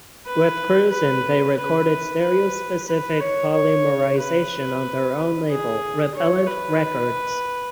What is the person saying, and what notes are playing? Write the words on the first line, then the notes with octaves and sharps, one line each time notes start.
With Krusen they recorded "Stereo Specific Polymerization" on their own label, Repellent Records.
B4
B4
B4
B4
B4
C#5
C#5
B4
G#4
C#5
B4